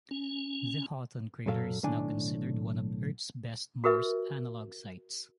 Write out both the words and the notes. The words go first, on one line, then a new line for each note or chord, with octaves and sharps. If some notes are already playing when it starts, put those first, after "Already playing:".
The Haughton crater is now considered one of Earth's best Mars analog sites.
C#4
F#2 A#2 F#3 A4 F5
B1 A2 D#3 D4 D5 G#5
F#4 G4 A#4 B4 E5